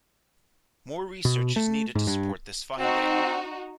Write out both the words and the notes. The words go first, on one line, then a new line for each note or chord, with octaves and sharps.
More research is needed to support this finding.
B2
A3
G#2
G2
C4 D#4 F#4